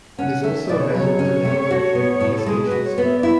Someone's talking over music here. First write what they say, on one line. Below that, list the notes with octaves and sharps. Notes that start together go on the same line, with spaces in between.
It is also available to download from the PlayStation Store.
C#4 F#5
A3 E5
B2 D5
C#5
B4
F#3 C#5
C#4
A3
F#4
B3
A2
A4
G#3 G#4
B4
F#4
C#5
B3
E5
D5
E4 E5